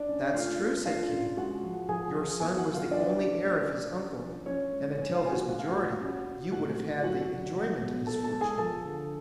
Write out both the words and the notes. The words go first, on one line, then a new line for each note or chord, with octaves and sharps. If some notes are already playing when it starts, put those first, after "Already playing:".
"That's true," said Kitty; "your son was the only heir of his uncle, and until his majority you would have had the enjoyment of his fortune."
Already playing: D4 D5
C#4
A3 F4 F5
A3
D4 F4 F5
C#3
G#3 F#4 F#5
F3
F3 G#4 G#5
F3
B3 G#4 G#5
F#4 F#5
F#3
F4 F5
F#3 D4 D5
C#3
A3
F3
C#4
F3
F3 C#4 C#5
G#3
G#3 C#4 C#5
F4 F5
D4 G#5
F#4 F#5
A2 F#5
F5
A2 F#4 F#5
C#4
C#4
A2 F#4 F#5
A3
F#3 F#4 F#5
F#3
G#3
B2
B2 A4 A5
A4 A5
G#3
G#4 G#5
F3 A4 A5
D3